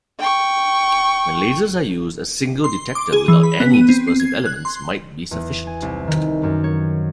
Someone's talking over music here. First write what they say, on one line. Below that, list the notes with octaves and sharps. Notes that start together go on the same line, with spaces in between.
When lasers are used, a single detector without any dispersive elements might be sufficient.
G5 C#6
C6
D6
G#4
E3
B5
B3
D#7
C4
C7
G#6
F#6
C6
E2
G#5
C2
D#3
F#2
C#5